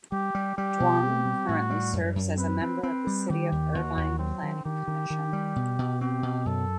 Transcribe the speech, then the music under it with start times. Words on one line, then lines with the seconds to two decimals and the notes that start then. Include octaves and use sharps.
Duong currently serves as a member of the City of Irvine Planning Commission.
0.12 G3 G4
0.35 G3
0.57 G3 G4
0.80 B2
1.03 C4
1.25 G3
1.47 A2 F#4
1.70 G3
1.93 F#2
2.16 F#2
2.38 C4 B4
2.61 C4
2.83 C4 B4
3.07 G3
3.29 D#3 G4
3.52 D#2
3.74 D#2 F#4
3.97 D#2
4.19 F#3 C4
4.43 D#3
4.65 D#3 G4
4.88 D#3
5.10 D#3
5.33 G3
5.56 B2
5.79 B2
6.01 C4 G4
6.23 B2
6.45 F#2 A4